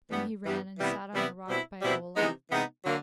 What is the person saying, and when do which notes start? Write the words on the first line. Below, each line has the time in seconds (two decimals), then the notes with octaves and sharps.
Then he ran and sat on a rock by Olaf.
0.11 G2 E3 G3 B3
0.44 G2 E3 G3 B3
0.79 C3 E3 G3 B3 E4
1.13 C3 E3 G3 B3 E4
1.47 B2 G3 C4 E4
1.81 B2 G3 C4 E4
2.15 C3 E3 G#3 B3 D#4
2.50 C3 E3 G#3 B3 D#4
2.84 D3 F#3 A#3